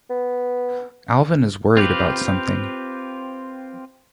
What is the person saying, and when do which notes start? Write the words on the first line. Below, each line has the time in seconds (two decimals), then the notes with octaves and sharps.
Alvyn is worried about something.
0.10 B3
1.77 C4 F4 G4 B4